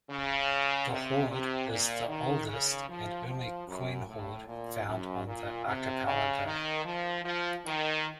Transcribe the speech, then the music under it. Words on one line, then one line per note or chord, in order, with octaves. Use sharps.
The hoard is the oldest and only coin hoard found on the archipelago.
C#3
C3
C3
A#2
D#3
C#3
F3
F3
F#2
A2
A#2
F#2
A#2
C3
C#3
D#3
F3
F3
D#3